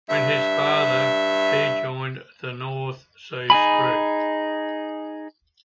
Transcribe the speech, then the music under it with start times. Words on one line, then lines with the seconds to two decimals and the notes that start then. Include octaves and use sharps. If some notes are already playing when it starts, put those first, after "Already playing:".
When his father he joined the North Sea Scroop.
0.09 G2 E5
3.50 D#4 G#4 G#5 B5